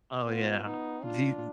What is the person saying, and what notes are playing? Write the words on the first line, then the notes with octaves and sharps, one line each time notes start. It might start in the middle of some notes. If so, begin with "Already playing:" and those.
Oh, yeah, di
B3 F4
B3 D#4
D4 F4